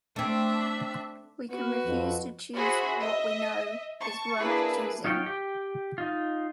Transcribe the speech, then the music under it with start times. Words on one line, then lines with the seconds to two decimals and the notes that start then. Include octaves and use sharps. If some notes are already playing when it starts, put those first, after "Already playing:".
We can refuse to choose what we know is worth choosing.
0.16 A3 C4 D4 E5
1.51 B3 F#4 B4
1.85 F2
2.54 F#4 G#4 C5 E5 B5
2.98 D#5 E5
4.01 A5 C#6
4.38 A#3 D4 E4 G#4 B4
5.04 F#3 D#4 F4 C#5 G5
5.26 G4 G5
5.98 D#4 F4